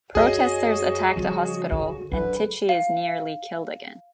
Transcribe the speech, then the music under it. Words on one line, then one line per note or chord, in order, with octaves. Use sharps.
Protesters attack the hospital, and Tichy is nearly killed again.
F#2 F#3 F#4 G#4 D#5
C#3 F3 G3
D3
D3 F#3 B4
F5